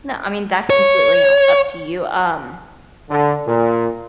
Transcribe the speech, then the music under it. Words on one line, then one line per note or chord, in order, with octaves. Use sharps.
No, I mean, that's completely on up to you, um,
C#5
D3
A#2